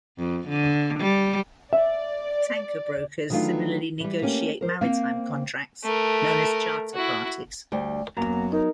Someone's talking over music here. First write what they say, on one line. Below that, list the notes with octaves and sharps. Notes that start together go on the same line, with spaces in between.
Tanker brokers similarly negotiate maritime contracts, known as Charter Parties.
F2
D3
G3
D5 E5
D#3 E3 F#3 A3 D4 F4
E3 G3
A3 A#3 C#4 G4
A#4 C5
A#3 C4 C5 F5
A3 A#4
E4 F#4
D2 G3 C5
F#2 F#3 A#3 B3 A#5
D#4 A#4